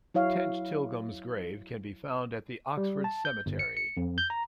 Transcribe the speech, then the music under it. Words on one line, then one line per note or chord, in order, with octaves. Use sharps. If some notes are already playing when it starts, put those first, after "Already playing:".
Tench Tilghman's grave can be found at the Oxford cemetery.
F#3 E4 C#5 F5
G3
A5
G6
G1
C#7
C#7
F2
G6
A#5